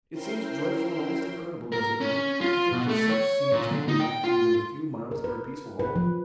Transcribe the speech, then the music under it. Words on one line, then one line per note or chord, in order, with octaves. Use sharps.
It seems dreadful and almost incredible--does it not?--to think that such scenes can be enacted within a few miles of our peaceful home.
C#4 E4 A#4 C5 G5 C6
A#4
C#4
F4
B2
A3
C#5
A#2
D3
D#4
G5
F4
A#4
B4
B4
F3